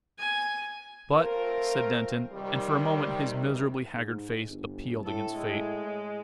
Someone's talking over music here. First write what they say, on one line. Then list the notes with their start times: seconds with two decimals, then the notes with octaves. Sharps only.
"But--" said Denton, and for a moment his miserably haggard face appealed against fate.
0.19 G#5
1.14 A3 C4 F4 A#4
2.32 D#2 C3 D#3 G3
3.93 G#2
4.49 G1
5.05 A2 A4
5.35 G#3